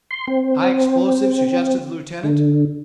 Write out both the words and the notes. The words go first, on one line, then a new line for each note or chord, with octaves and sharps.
"High explosive?" suggested the lieutenant.
C6
C4
D3